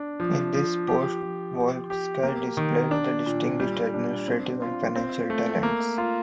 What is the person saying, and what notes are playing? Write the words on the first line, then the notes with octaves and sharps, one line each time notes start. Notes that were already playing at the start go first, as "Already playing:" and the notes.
In this post Volynsky displayed distinguished administrative and financial talents.
Already playing: D4
F3
F3
G4
F3
G4
G4
A#3
D#3
D4
A#2
G3
D4
C4
F4
C4
A3
A#3
F4